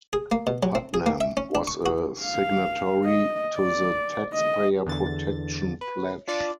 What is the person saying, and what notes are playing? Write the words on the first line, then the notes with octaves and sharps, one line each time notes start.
Putnam was a signatory to the Taxpayer Protection Pledge.
G#4
A#3
B2
F#3
C4
G#4
A#3
E5
C#4
D4
C#6
F#4
F5
D#5
D5
D#5
E2 D3 A6
B4
D4 F4 D5